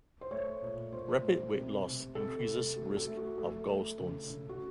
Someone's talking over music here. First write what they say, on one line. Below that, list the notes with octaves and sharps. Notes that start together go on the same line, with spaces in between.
Rapid weight loss increases risk of gallstones.
C5
A3 C#5
A#2
A#2 C5
A3
C3
C3
C3 A4
A3
A3 F#4
A4
A3
F#4
A3 A4
A3
C#3
C#3
F#4